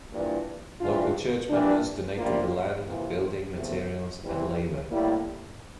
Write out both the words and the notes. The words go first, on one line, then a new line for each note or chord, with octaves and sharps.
Local church members donated the land, building materials and labor.
G2 E3 A#3 D4 F4
G2 E3 G3 D4 F4
F2 E3 G3 D4
C3 G3 A#3 D4 F4
C3 E3 A#3 F4
E2 C3 F3 A3
C3 E3 G3 C4
A2 G3 A#3 E4